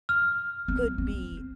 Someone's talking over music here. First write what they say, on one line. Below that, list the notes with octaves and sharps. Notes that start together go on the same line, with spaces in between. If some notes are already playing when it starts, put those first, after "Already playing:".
could be
F6
C4
C4